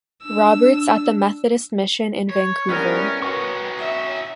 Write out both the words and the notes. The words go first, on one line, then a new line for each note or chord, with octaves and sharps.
Roberts at the Methodist mission in Vancouver.
D4 E6
C#5
G3 B3 C#4 E4 A#4 G5
B3 D#4 F#4 C#5 C#6
E5